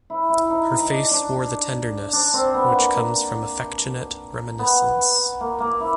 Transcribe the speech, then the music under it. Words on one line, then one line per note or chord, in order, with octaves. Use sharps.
Her face wore the tenderness which comes from affectionate reminiscence.
E4
E4
D#4
D#4
D#4
D4
D4
D4
C4
B3
A#3
A#3
B3
A#3
A#3
E4